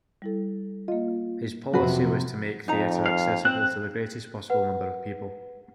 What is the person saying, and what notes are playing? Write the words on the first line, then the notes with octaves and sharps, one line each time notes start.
His policy was to make theatre accessible to the greatest possible number of people.
G3 E4 A4
A#3 F4 D#5
F2 C3 F#3 F#4 B4
F2 D#4 A#5
F5
C4 F#6
B4 F#5